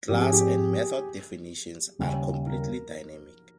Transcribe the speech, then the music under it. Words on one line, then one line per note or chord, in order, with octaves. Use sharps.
Class and method definitions are completely dynamic.
G#2 F3 C4 G4
G#4
G4
D#2 C#3 G3 C#4
A#4